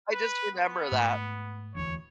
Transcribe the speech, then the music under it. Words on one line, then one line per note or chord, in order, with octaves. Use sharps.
I just remember that.
B4
B3
G#2 A3
E1 D2 E3 C#5